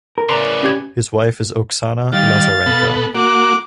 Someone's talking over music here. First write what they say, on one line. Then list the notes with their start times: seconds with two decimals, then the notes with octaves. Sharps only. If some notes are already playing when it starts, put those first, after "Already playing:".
His wife is Oksana Lazarenko.
0.18 A#4
0.29 A2 C#3 B4 D5 A#5 C6
0.63 C#4 G4 G#6
2.12 D#3 G3 F5 A6
2.66 B2 B3 A4
3.15 A#3 F#4 D6